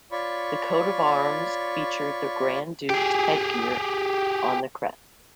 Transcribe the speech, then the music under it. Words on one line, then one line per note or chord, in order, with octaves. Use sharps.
The coat of arms featured the Grand Duke's headgear on the crest.
F4 C#5 D5 B5 C#6
G4 G#4